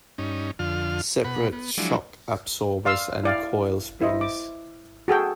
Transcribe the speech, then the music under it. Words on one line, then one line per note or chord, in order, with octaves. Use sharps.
Separate shock absorbers and coil springs.
G2 C#4 D#4
F2 D3 F4 F6
B2 F#5 B5
B3
F3 F#3 G#3 D4 E4
D5 F5 C6 E6
E4 D5 F5
E4 C5 D#5
D6
F#4 G#4 A4 G5